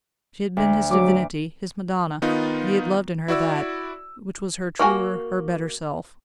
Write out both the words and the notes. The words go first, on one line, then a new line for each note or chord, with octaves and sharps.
She had been his divinity, his madonna; he had loved in her that, which was her truer, her better self.
D2
F#3 D6
D#3 B3 D#4 F4
E4 F#4 D5 E6
A#3 F#4 G#5